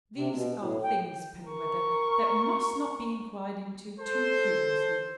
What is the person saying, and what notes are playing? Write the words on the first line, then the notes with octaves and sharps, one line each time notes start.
These are things, Penwether, that must not be inquired into too curiously.
C3
B2
A2
G5
A#4 C#6
A4 C5